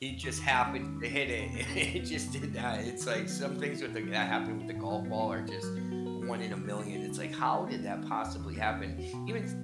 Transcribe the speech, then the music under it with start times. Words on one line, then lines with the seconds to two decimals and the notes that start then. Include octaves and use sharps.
he just happened to hit it and it just did that. It's, like, some things with the that happened with the golf ball are just one in a million. It's like, how did that possibly happen? Even s
0.09 E2
0.23 D#3
0.38 D#3
0.52 G#3
0.67 C#4
0.82 D#3
0.96 D#3
1.11 C#4
1.26 E2
1.40 B2
1.54 A#3
1.70 C#4
1.84 E2
1.99 B3
2.13 F#2
2.28 C#3
2.41 G#3
2.57 B3
2.71 F#2
2.86 F#4
3.01 D#3
3.14 F#3
3.30 B3
3.45 F#4
3.58 D#3
3.73 E4
3.88 A#2
4.03 F#3
4.17 C#4
4.32 E4
4.46 A#2
4.61 E4
4.75 G#2
4.90 F#3
5.05 B3
5.20 E4
5.34 G#2
5.48 A#4
5.63 F#3
5.77 B3
5.92 F#4
6.06 A#4
6.22 F#3
6.36 F#4
6.51 C#3
6.65 G#3
6.79 D#4
6.95 F#4
7.10 C#3
7.23 D#4
7.38 D#3
7.53 G#3
7.67 B3
7.82 D#4
7.97 D#3
8.11 C#4
8.25 E2
8.40 D#3
8.56 A#3
8.70 C#4
8.84 E2
8.98 F#4
9.13 B2
9.28 F#3
9.43 B3